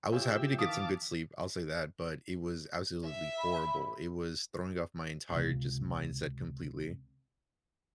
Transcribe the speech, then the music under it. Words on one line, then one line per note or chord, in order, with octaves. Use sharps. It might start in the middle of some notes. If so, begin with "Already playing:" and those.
I was happy to get some good sleep, I'll say that, but it was absolutely horrible. It was throwing off my entire just mindset completely.
F4 G4 G#4 C#5 E5
D#3 E3 F5 A5 D6 D#6 B6
E5
B5
C#2 C3